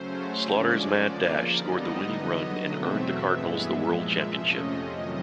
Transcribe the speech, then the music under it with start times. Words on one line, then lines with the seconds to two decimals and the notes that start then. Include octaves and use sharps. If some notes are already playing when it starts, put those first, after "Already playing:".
"Slaughter's Mad Dash" scored the winning run and earned the Cardinals the world championship.
Already playing: C#3 F#3 A3 C#4 C5
0.43 D3 F3 G#3 C#4 D5
0.99 C#3 F3 A#3
1.55 D3 G3 B3 D#4 D#5
2.11 D3 F#3 B3
2.66 E2 B2 F#3 A3 C4 E5
3.22 G2 E3 G#3 B3 E5
3.78 A#2 F3 G#3
4.33 F2 C3 F3 A3 C#4 D#5
4.89 F2 C3 D#3 F#3